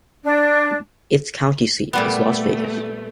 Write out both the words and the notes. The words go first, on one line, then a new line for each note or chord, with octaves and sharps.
Its county seat is Las Vegas.
D4
A#2 G3 A3 B3